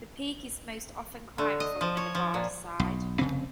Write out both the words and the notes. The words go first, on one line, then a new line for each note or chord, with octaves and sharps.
This peak is most often climbed from the Nevada side.
D3
D#5
F3
C#5
F3
A#2
B1
F1 C#3 C4